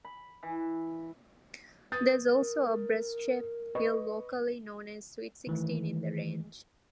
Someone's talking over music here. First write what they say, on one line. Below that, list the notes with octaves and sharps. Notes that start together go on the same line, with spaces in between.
There is also a breast-shaped hill locally known as Sweet Sixteen in the range.
B5
E3
B4 D#6 G6 A6
A#4
B4 D#5 C#6
D#3 E3 A3